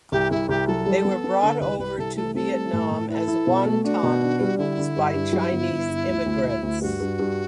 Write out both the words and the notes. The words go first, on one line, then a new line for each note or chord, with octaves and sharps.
They were brought over to Vietnam as wonton noodles by Chinese immigrants.
C2 G4
C2 E4
C2 G4
F#3 A4
G3
B3
B3
D3
C2 B4
C2 B4
C2 A4
A3 A4
C4 A4
G3
A2
A2
E4 B4
A4
E4
B2
A3
D4 F#4
B2
D4
G3
D3 E4
D3
G2
G2
F#3
G1
G1
G1
D2
D2
D2
D2
G2 F#4
G2
G2